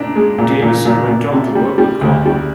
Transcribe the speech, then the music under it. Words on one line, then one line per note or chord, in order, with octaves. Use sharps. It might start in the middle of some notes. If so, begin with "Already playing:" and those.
Davison went on to work with Gong.
Already playing: A#2 D4
G#3
A#2
A#2
A#2
A#2
C3
G3
G3
D2
G3